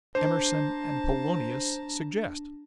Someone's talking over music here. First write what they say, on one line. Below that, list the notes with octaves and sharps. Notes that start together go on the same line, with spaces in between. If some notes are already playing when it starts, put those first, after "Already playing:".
Emerson and Polonius suggest.
D4 C5 A5 A#5